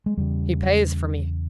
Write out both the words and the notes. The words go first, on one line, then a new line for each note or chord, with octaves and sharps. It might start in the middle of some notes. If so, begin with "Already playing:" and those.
"He pays for me."
G#3
E2 C#3 G3